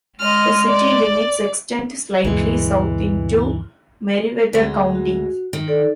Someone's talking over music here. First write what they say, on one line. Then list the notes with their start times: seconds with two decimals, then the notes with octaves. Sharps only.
The city limits extend slightly south into Meriwether County.
0.20 G#3 D#5 F6
0.67 D5
2.24 D2 G2 B2 E3 G#3
4.53 D2 G#3
4.95 F#4
5.53 D#3
5.67 D#4 A4 D5